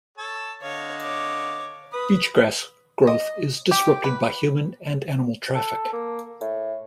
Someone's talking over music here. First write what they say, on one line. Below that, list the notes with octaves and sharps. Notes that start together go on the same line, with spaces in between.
Beachgrass growth is disrupted by human and animal traffic.
A4 C#5 A5
D3 C#5 D#5 F5
C#5 D6
B4 B5 D#6
D#5
G4
B4
A4
A#3
A2